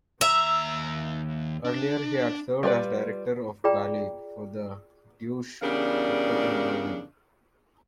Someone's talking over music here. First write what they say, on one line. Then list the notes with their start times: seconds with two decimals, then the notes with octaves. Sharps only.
Earlier he had served as director of ballet for the Deutsche Oper in Berlin.
0.21 D#2 E5 A#5
1.65 D4
2.63 G3 F4 A#4 B4 D5
3.64 F4 G#4 D5 G5 A#5
5.61 E2 C#3 G3 D4 A#4 F5